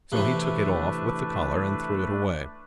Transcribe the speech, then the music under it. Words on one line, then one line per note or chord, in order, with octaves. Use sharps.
So he took it off with the collar and threw it away.
C3 E3 A3 D4 B4